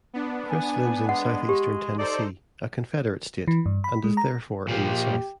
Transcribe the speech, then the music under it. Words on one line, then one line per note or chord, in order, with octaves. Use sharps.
Chris lives in southeastern Tennessee, a Confederate state, and is therefore in the South.
B3 D4
G#5
G#3 F#5
G4
D#4 A4 C5 D5
E3
G2
B5
G#3
A#5
A#2 F3 G4